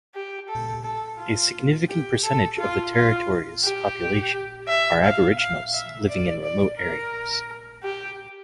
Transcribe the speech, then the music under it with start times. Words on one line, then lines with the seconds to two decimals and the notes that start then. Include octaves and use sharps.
A significant percentage of the Territory's population are Aboriginals living in remote areas.
0.14 G4
0.49 A4
0.84 A4
1.19 F4
1.89 G4
2.24 A4
2.59 F4
2.93 F4
3.64 G4
4.68 E5
5.03 F5
5.38 F5
5.74 E5
6.08 D5
6.43 D5
6.79 A#4
7.83 G4